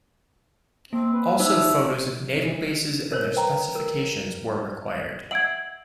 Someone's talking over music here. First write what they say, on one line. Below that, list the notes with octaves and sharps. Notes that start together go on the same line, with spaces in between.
Also photos of naval bases and their specifications were required.
A#3 C4
B4
D#4 C5 E5
A#4 C5 C#5
B4 G5 A#5
A#4
E5 F#5 E6 G#6 D7 F#7